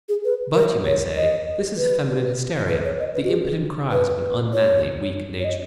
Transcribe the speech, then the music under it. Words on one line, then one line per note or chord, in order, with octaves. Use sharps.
But, you may say, this is feminine hysteria, the impotent cries of an unmanly, weak nature.
G#4
B4
A#4
C#5
D#5
B4
B4
C#5
D#5
B4
F#4
G#4
B4
C#5
C#5
D#5